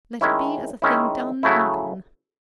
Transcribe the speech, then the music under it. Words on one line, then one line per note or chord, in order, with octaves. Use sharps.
Let it be as a thing done and gone.
D#3 G#3 C#4 E4
D#3 G#3 C#4 E4
C#3 F#3 A3 E4